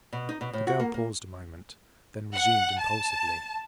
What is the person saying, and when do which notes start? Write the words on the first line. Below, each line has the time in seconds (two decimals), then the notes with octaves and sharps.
The girl paused a moment, then resumed impulsively.
0.13 B2
0.29 D#4
0.41 B2
0.53 A2
0.67 F#4
0.80 A#3
0.94 A#3
2.35 F#5
2.81 A5